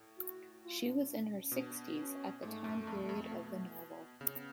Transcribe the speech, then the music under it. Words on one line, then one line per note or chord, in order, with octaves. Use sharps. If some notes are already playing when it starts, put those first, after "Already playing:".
She was in her sixties at the time period of the novel.
Already playing: A2
F#4
F4
D4
D4
C#4
C#4
B2 D4
C#4
G#2 A3
F#2
F2
F2
B2
C#3 B3
C#4
B3